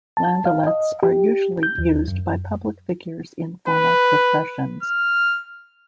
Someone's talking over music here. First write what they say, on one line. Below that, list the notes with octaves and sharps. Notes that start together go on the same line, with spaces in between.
Landaulets are usually used by public figures in formal processions.
A5
F5
D#5
G4
G6
D#2
F#2
B4
F6